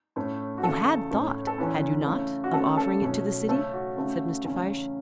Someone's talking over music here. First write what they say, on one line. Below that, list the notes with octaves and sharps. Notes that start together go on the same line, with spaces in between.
"You had thought, had you not, of offering it to the city?" said Mr. Fyshe.
A2 A3 C#4
F#4
E2 C#3 A3 A4
A2 A3 C#4
A4
E2 E3 C#4 B4
C#3 A3 C#4
F#4
C#3 A3 C#4 A4
A4
B2 F#3 A3 C#4
C#3 A3 C#4 A4
F#4
C#3 A3 C#4
E2 C#3 A3 C#4